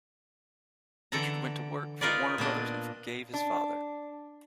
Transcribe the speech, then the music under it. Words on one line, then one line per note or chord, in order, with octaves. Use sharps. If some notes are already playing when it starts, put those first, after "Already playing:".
Richard went to work for Warner Brothers and forgave his father.
D3 E3 A4 F#5 A#5
D#4 F4 A#4 B4 D5
A#2 B3 D4 D#5
D4